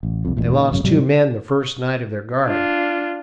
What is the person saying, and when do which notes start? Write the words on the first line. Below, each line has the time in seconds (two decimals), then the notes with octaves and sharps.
They lost two men the first night of their guard.
0.03 A1
0.25 C2 F2
0.37 E1 A1 A#2
0.53 A#2 D#3
0.71 G#1 F#2 C#3
0.84 G#2 C3 F#3 G3
2.46 D4 F4